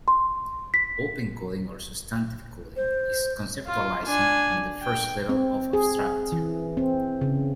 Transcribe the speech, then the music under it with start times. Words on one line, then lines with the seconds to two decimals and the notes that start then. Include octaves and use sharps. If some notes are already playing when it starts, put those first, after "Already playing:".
Open coding or substantive coding is conceptualizing on the first level of abstraction.
0.08 C6
0.74 B6
2.76 C5
3.66 F4
4.06 D4 G#5
4.82 G5
5.29 C4
5.73 G#4
6.32 E3
6.77 C4
7.21 C#3